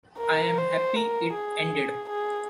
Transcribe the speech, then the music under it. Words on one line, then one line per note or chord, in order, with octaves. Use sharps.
I am happy it ended.
A#4
C5
A#4
G#4
G#4